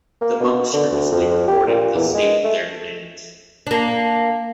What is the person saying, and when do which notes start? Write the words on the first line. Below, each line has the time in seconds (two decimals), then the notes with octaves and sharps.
The monks scrupulously recorded the state of their domains.
0.21 A#3
0.40 B2
0.73 D3
0.91 D2
1.11 F2
1.48 G4
1.67 A#2
1.95 E2
2.14 G#3
2.44 A3
3.67 A#3 D4